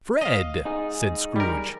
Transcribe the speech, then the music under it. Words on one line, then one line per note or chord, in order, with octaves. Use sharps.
"Fred!" said Scrooge.
D#5 F5
D#4 G#4
G3 A#4